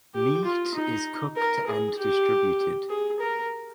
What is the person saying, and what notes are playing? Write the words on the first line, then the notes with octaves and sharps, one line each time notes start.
Meat is cooked and distributed.
G4
F4
D#4
A#4
G#4
G4
G#4
A#4